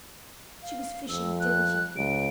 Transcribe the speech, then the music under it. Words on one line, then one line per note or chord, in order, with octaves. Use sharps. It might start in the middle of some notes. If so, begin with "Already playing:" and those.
She was fishing diligently.
F5
F2 E6
F#6
C#2 D7